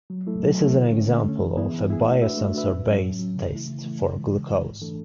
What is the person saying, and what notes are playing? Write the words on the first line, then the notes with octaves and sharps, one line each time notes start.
This is an example of a biosensor-based test for glucose.
F#3
A3 E4 A4
F#3
A3 E4 A4
D3
A3 C#4
D3
A3 C#4
E3
B3 E4 G#4
E3
B3 E4 G#4
A3
D4 F#4 B4 E5
A3
D4 F#4 B4 E5
A2
F#3 C#4
A2
F#3 C#4
C#3
E3 A3 E4
C#3
E3 A3 E4
C#3
E3 G#3
C#3
E3 G#3
G#2
E3 A3 D4 A4